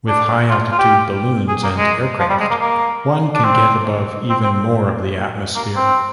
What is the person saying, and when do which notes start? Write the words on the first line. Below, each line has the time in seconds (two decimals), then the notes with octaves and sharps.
With high-altitude balloons and aircraft, one can get above even more of the atmosphere.
0.08 D4
0.50 F4
0.72 F4
0.79 G4
1.48 G#4
1.63 A#3
1.78 G#3
2.20 F3
2.30 G3
2.40 G#3
2.50 A#3
2.62 A#3
3.35 D4
3.45 C4
4.30 C4
4.43 C4
5.55 A#3
5.76 C4